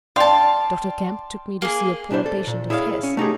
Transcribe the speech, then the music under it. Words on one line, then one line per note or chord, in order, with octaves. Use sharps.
"Dr. Kemp took me to see a poor patient of his."
D5 F5 G5 A5 C6
A#3 G#4
B1 D4 E4 C5
A4
A#2
E4 G#4 C#5 D#5 F5
C#4
A3 D#4 G4 G#4